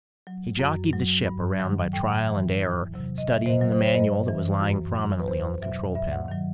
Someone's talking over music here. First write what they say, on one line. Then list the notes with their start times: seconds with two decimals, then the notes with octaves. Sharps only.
He jockeyed the ship around by trial and error, studying the manual that was lying prominently on the control panel.
0.27 F#3
0.59 F#2
0.93 F#3
1.26 G2
1.60 D#3 F#3
1.93 A2 G5
2.27 E3
2.61 E2
2.94 C3 F#3
3.18 D#5
3.28 A2 E5
3.46 C5
3.50 D#5
3.61 F#3
3.72 C5
3.86 C5
3.94 G2 D#5
4.28 E3
4.61 F#2
4.95 F#3
5.20 B4
5.28 E2 C5
5.62 B2 F#3 E5
5.95 G2 E5
6.12 F#5
6.28 D#3 F#3